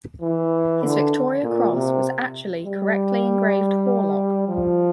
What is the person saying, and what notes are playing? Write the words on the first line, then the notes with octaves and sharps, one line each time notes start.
His Victoria Cross was actually correctly engraved Horlock.
E3
D3
A#2
C3
G3
F3